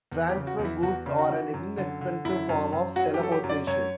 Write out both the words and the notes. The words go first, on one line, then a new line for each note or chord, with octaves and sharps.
Transfer booths are an inexpensive form of teleportation.
E2
G4
C#3
F#4
E2
E4
E2 F#4
C#3
F#4
E3
F#2
D3
D3
F#2 E4
F#2
F#2
F#3 F#4
G4
F#3 A4
G4
F#2
D5
F#2 C#5